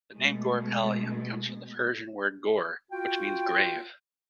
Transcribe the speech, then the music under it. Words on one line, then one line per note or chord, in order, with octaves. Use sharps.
The name Gorippalayam comes from the Persian word "gor" which means "grave".
B2 G#3 A3
F4 F#4 G5